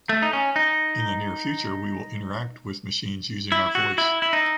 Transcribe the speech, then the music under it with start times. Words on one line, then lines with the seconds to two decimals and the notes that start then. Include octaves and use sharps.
In the near future we will interact with machines using our voice.
0.09 A3
0.22 D#4
0.33 C#4
0.56 D#4
3.52 E4
3.75 F#4
3.98 E4
4.22 E4
4.33 D#4